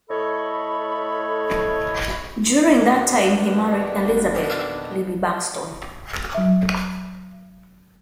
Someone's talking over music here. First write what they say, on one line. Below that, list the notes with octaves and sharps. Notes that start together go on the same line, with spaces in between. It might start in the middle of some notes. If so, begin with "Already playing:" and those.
During that time, he married Elizabeth "Libbie" Buxton.
A2 A3 A4 C#5 D#5 B5
F2 B2 D#3 A#3 B3 D4
F#3 E5